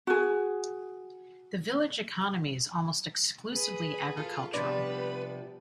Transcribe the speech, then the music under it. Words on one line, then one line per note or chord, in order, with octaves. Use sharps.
The village economy is almost exclusively agricultural.
F#4 G#4
G#4 B4
F4 A4
C3 F3 G3 B3 D4 B4 D5